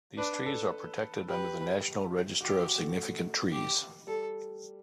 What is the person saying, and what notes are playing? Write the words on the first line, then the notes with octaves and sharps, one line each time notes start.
These trees are protected under the National Register of Significant Trees.
D4 B4
A4
G4 B4
F#4 G4
F#4
A3
G4
G3 A4